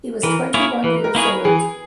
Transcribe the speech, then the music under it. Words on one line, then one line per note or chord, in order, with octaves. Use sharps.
He was twenty-one years old.
E3 A#4
A#3 E4 G#4 C#5
E3 B4
A#4
A#3 E4 G#4 C#5
A#4
E3 G#4